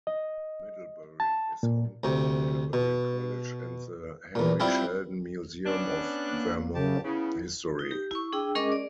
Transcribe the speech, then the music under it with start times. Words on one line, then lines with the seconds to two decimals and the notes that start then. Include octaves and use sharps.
Middlebury is home to Middlebury College and the Henry Sheldon Museum of Vermont History.
0.07 D#5
1.20 A5
1.63 A#2
2.04 D2 C3
2.73 B2
4.35 E2 A#2
4.60 G3 C4 E4 F4 G4
5.66 B3 C#4 D4 F#6
6.26 A#3
6.75 C#3 G4 A5
7.04 C#3 B3 E4
7.79 D#4
7.91 G4
8.11 E4 C#6
8.32 D4 G#4 G5 E6
8.55 G#3 C#4 G#4 A#4 D#5 D6
8.72 D5